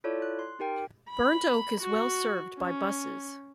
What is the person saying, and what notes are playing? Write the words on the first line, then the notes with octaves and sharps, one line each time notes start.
Burnt Oak is well served by buses.
E4 F4 A4 C#5 D5
F#6
C6
D#4 G4 A#4 G5
B5
F#4
C#4